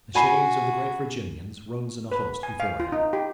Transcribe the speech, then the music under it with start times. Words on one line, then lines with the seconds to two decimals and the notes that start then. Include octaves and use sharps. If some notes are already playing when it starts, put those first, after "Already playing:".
The shades of the great Virginians rose in a host before him.
0.15 F#4 G#5 B5 C7
2.12 B4
2.43 G#5
2.60 F5
2.80 F4
2.92 D#4
3.13 G4